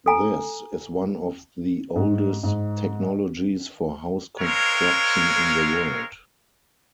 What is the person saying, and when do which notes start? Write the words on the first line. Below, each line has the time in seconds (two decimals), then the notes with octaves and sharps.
This is one of the oldest technologies for house construction in the world.
0.06 A4 G#5 A#5
1.96 G#2
2.43 G#2
4.40 G#3 C4 A#4 C#5 F5